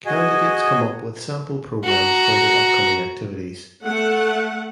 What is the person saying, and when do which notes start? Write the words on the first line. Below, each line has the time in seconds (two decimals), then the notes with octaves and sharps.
Candidates come up with sample programs for their upcoming activities.
0.06 F#4 G#4 D#5 G#5
1.84 F#4 A#5
3.83 A3 F#5